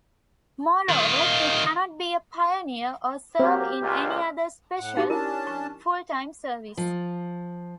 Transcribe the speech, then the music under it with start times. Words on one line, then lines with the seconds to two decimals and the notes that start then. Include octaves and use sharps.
Moreover, he cannot be a pioneer or serve in any other special, full-time service.
0.89 D#3 F4
3.39 F#3 A#3 C4 G4
3.82 C#2 A#2
4.77 A2 F#5
4.97 D#4 G4 D6
5.10 C#4 D4 E4 A#4 A5
5.47 C#6
6.77 F3